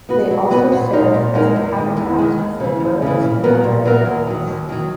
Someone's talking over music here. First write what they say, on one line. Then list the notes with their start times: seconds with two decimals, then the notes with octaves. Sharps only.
They also serve as a habitat for birds and other animals.
0.09 B3 F#4 B4
0.31 F#3
0.51 B3 F#4 B4
0.72 A#2
0.93 G#3 D#4 A#4
1.14 A#2
1.35 G#3 D#4 A#4
1.56 E2
1.76 D#3 G#3
1.97 E2
2.19 D#3 G#3
2.39 D#2
2.60 C#3 E3
2.80 D#2
3.02 C#3 E3
3.22 A#2
3.44 F#3 B3 F#4 A#4
3.64 A#2
3.85 F#3 B3 F#4 A#4
4.06 D#2
4.27 D#3 F#3
4.47 D#2
4.69 D#3 F#3